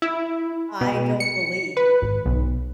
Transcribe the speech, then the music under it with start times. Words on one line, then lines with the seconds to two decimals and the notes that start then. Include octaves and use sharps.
I don't believe
0.02 E4
0.81 B2
1.20 C#7
1.77 B4
2.02 G#1
2.26 B1